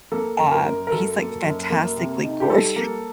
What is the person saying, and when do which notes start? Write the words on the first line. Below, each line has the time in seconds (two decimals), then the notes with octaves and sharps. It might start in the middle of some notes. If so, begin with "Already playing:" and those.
Uh, he's, like, fantastically gorgeous,
0.12 A#3 A4
0.38 F#2
0.52 A#4
0.64 F#2
0.87 A#4
0.91 F#3 A4
1.18 A#3
1.44 F#2
1.70 A#3
1.97 C3
2.23 D#4
2.40 G4
2.50 G3 A4
2.76 A#3